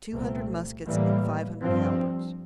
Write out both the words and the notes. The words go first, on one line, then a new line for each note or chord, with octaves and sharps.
"Two hundred muskets and five hundred halberds."
C2 A#2 A3 C4
A2 E3 G3 A#3
G2 F3 C4